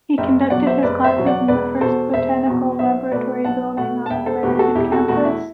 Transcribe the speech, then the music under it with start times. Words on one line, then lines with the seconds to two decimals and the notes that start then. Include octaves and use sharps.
He conducted his classes in the first botanical laboratory building on an American campus.
0.18 F#1 E5 G5
0.50 E2 B2 F#3 D5 F#5
0.67 C5 E5
0.83 F#1 B4 D5
1.04 C5 E5
1.16 E2 B2 F#3
1.26 D5 F#5
1.48 E1 B4 D5
1.81 E2 B2 A4 C5
2.14 E1 C5 E5
2.46 E2 B2
2.79 B1 C5 E5
3.12 B2 A3 B4 D5
3.44 B1 F#5 A5
3.77 B2 A3 F#5 A5
4.06 A5
4.10 E1 E5 G5
4.26 A4 C5
4.43 E2 B2 A3 G4 B4
4.55 G4
4.59 F#4 A4
4.75 E1 E4 G4
4.92 F#4 A4
5.08 E2 B2 A3 F#4
5.25 E4